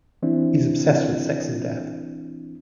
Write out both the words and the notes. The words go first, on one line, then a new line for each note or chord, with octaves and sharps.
He's obsessed with sex and death.
E3 C4 D4 E4